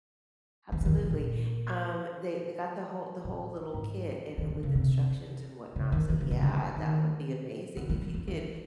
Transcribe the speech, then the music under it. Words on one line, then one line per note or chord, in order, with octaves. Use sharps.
Absolutely, um, they they got the whole the whole little kit and with instructions and whatnot. So yeah, that would be amazing if you could
E3
D3
D#3
D#3
A#2
A#2
A2
G#2
D#3
D3
C#3
C3
C#3
D#3
D#3
D3
C#3
D3
D#3
D#3
F3
F#3
F3
E3